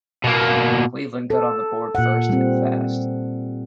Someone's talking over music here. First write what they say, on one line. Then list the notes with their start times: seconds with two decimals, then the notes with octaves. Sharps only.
Cleveland got on the board first and fast.
0.24 B2 A#3
1.30 A4
1.95 A#2 F#5
2.29 G3 C4